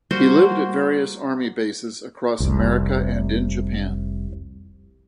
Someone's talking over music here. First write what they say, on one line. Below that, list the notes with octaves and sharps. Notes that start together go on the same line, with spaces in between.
He lived at various Army bases across America and in Japan.
G3 A#3 F#4 C5
F1 C2